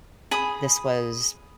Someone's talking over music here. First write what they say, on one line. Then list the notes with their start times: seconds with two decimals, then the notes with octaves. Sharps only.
This was
0.31 G#4 B5 D#6